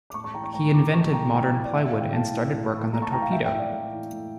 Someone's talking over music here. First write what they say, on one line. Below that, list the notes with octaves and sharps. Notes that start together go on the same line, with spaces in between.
He invented modern plywood and started work on the torpedo.
D6
A2 A5 C#6
A5 C#6
E3 G5 A#5
A5 C#6
A2 G5 A#5
E3 A#5 D6
A2 A5 C#6
E3 G5 A#5
A2 G5 A#5
E3
D5
A2 E5
E3 F5
G5
A2 F5 A5
E3
A2
E3
A2 A#5
A5 C#6
E3 G5 A#5
F5 A5
A2 E5 G5
E5 G5
E3
D5 F5
A2
E3
A2